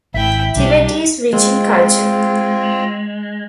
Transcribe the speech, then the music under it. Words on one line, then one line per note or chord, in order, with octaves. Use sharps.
Tibet is rich in culture.
G#1 E4 E5 G5
B1 D#3 G3 D4 G4
G#3 C4 F4